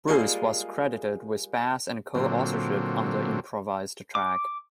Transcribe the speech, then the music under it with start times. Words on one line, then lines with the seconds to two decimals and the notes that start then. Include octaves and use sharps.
Bruce was credited with bass and co-authorship on the improvised track.
0.08 G3 G#3 A#3 F4 G#4
2.15 A#2 D3 F#3 C4
4.15 D6